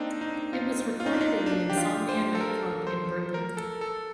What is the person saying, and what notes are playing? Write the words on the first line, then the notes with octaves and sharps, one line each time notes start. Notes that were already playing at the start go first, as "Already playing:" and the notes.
It was recorded in the Insomnia nightclub in Berlin.
Already playing: A#3 C4 D4 D#4
D#4
F4
F4
D#4
D4
D#4
D4
G4
F4
C5
A4
A#4
C5
A#4
A4
A4